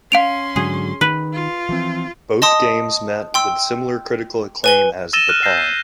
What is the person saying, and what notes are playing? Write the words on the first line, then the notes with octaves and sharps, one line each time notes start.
Both games met with similar critical acclaim as "The Pawn".
C#4 F5 C6 D7 F7
G#2 D3 F#3 G#4
D#3 B4
F4
E3 F3 C4
D#5 A5 C6 D#6
G5 C6 E6
B4 G#5 G7
E6 A6 A#6 D#7 E7 G7
F6 F#6 D#7 E7
G6 A#6 C7
C7